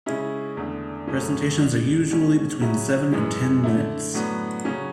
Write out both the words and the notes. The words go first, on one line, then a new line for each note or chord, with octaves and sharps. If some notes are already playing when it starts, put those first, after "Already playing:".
Presentations are usually between seven and ten minutes.
C#3 G#3 C#4 E4
E2 D3 A3 D4
F#2 C#3 F#3 A3 C#4
D3 G#3 D4
B2 G#3 C#4
C#3 F#3 C#4 E4
F#2 E3 G#3
D3 A3 E4
A2 F#3 B3 D4
C#3 F#3 C#4